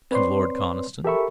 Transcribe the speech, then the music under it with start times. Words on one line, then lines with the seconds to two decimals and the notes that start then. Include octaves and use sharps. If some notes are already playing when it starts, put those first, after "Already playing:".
"And Lord Conniston?"
0.11 C4 B4 C#5 D5 C6
1.05 G4 A4 A#4 E5 B5 C#6